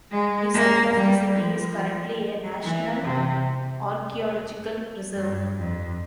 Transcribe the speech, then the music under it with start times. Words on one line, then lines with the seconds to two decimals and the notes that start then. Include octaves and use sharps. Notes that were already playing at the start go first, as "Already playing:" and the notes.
The site of the city is currently a National Archaeological Reserve.
0.11 G#3
0.54 A#3
0.96 G3
1.37 F3
2.64 E3
3.05 C3
5.15 G2
5.57 F2